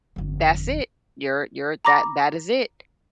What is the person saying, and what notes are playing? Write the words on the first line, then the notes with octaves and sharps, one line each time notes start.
That's it. You're you're that that is it.
G1 F2
A#5 B5 D6 A#6